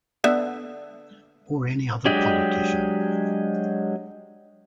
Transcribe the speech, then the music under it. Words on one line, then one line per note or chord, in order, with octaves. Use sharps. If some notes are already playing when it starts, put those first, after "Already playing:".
Or any other politician.
D3 B3 E5
F#3 G#3 D4 G4 D#5